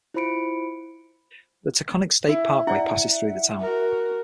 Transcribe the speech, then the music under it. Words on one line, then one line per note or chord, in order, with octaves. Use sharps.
The Taconic State Parkway passes through the town.
E4 F4 C5 B5 C#7 D7
E4 E5
E4 D5 F#5
F#4 A#4